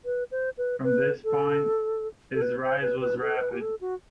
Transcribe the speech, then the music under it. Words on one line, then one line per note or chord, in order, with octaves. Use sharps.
From this point, his rise was rapid.
B4
C5
B4
B4
A4
A4
B4
C5
B4
B4
A4
C5
B4
G4
A4
F#4